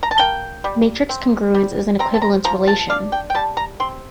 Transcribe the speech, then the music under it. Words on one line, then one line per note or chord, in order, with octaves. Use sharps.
Matrix congruence is an equivalence relation.
A#5
A5
A#3 G5
G3
C4
G3
C4 A#5
A5
A#5
F3 A#5
A5
D4 F5
G5
G5
G3 A5
A#5
C4 C6